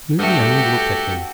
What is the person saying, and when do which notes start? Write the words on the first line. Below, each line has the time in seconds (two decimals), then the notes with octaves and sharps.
Moody only looked at him.
0.19 G2 A3 F#4 G4 A4 F#5 G6